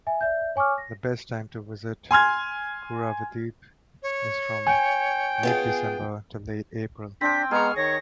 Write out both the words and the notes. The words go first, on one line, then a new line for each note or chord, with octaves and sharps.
The best time to visit Kuruvadeep is from mid December to late April.
E5 G#5
D5 E5 G6
C#5 G#5 C#6 D6 F6
A#6
G#5 C6 F6 G#6
C#5
G5 G#5
B3 F4 G#4
C4 D4 G5 B6
G#3 B3 G#4 A#5 C#6 F6
D#3 C#5 A#6